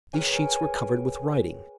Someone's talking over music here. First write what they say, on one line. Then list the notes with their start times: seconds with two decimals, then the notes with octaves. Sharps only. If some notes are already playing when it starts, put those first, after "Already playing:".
These sheets were covered with writing.
0.13 G#4 A#4 B4 C#5 G5 G#5